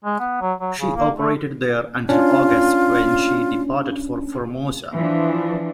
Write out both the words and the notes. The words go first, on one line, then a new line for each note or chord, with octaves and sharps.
She operated there until August, when she departed for Formosa.
G#3
B3
F#3
F#3
C#3
A#3
A3
C#4 D4 F4
E3 F3 D4